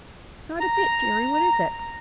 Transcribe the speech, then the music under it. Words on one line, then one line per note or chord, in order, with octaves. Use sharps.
"Not a bit, deary; what is it?"
A#5